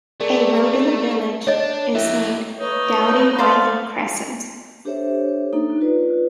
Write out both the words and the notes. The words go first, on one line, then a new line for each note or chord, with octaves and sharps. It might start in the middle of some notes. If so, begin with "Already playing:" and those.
A road in the village is named Doughty-Wylie Crescent.
A3 G#4 A#4 D5
D4 C#5 D#5
A3 E4 G4 E5
D#4 B4 C#5
B3 C5 D5 F5
D4 G4 A4 C5 C#5 E5
A#3 D4 D#4 A4
F4 B4 C#5 D5